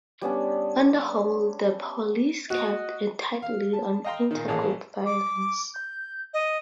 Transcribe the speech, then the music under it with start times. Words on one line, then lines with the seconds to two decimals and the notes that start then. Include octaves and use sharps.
On the whole, the police kept a tight lid on inter-group violence.
0.22 G3 B3 C#4 D4
2.50 F#4 D#5
3.42 F5
3.73 A5
4.04 D#5 F5 G5 A#5 C6
4.31 A#2 D#3
4.48 A1 A#3 G#4 C#5 A5
5.06 D6
5.74 G6
6.34 D#5